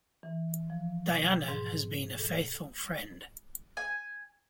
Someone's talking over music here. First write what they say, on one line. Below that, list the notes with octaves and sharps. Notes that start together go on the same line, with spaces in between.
Diana has been a faithful friend.
E3
F3
B2
G5
G#2
A4
G#5